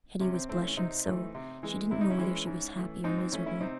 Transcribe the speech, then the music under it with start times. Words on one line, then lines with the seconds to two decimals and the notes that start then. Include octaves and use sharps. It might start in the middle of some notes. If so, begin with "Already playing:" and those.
Hetty was blushing so, she didn't know whether she was happy or miserable.
0.20 C3 C#4
0.34 C4
0.49 E3 A3 C4
0.63 C#4
0.77 C3 C4 D#4
1.06 E3 A3
1.35 C3
1.63 E3 G#3
1.91 C3 E4
2.01 D#4
2.10 C#4 E4
2.19 E3 G#3
2.47 G#2
2.76 E3 A3
3.04 G#2 C4 D#4
3.18 C4
3.32 E3 A3 C#4
3.46 C#4 E4
3.61 C3 C4 D#4